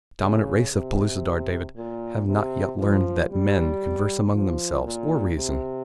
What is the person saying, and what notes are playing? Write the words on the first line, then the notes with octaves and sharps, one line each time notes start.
The dominant race of Pellucidar, David, have not yet learned that men converse among themselves, or reason.
C#3
C3
A#2
C3
F3
G3
F3
A#2
C3